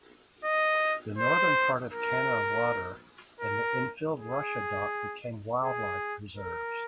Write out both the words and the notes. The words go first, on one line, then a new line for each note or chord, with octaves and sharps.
The northern part of Canada Water and the infilled Russia Dock became wildlife reserves.
D#5
C5
A#4
A#4
G#4
G#4
A#4